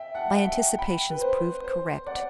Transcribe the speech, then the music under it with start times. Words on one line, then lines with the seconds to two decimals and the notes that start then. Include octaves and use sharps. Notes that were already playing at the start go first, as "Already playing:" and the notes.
My anticipations proved correct.
Already playing: E5 G5
0.14 F#5 A5
0.36 E5 G5
0.79 G5 B5
1.10 B4
1.21 C5
1.64 C5
2.06 D5 F#5